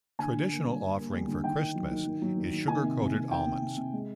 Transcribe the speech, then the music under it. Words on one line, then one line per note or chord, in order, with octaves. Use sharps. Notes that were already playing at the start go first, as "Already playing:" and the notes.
Traditional offering for Christmas is sugar coated almonds.
D3 G#5
D3
A#3
G3
D3
A#3
G3
D3
D#3 G5
D#3
F#3
D#3
D#3
F#3
D#3
D#3
D#3 G#5
C3
C3
C3
D#3 G5
C3
C3
C3
G#3